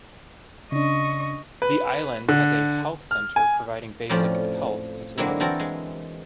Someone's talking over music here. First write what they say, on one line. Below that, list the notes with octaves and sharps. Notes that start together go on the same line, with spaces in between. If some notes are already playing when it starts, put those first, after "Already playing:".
The island has a health center providing basic health facilities.
C#3 D4 D#5 C#6
B4
D3
F6
G#5
F2 A2 F3 C#4 D5
D3 F#3 G#3 A#3 C4 E4
E3 C4 F#4 A4 A#4
G#3